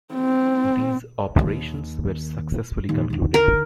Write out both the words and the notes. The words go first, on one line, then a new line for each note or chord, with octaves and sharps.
These operations were successfully concluded.
C4
D#2
D#2 A#2
D#2 D3
A#4